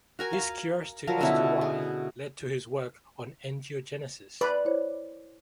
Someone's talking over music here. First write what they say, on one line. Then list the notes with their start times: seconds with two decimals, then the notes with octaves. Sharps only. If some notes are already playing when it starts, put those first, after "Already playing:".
His curiosity as to why led to his work on angiogenesis.
0.19 F#4 A#4 G#5
0.33 F5
1.07 F3 F#3 A#4
1.21 B2 D3 C#4 E4
1.61 G#4
4.41 B4 D5
4.65 E4 C5 C#5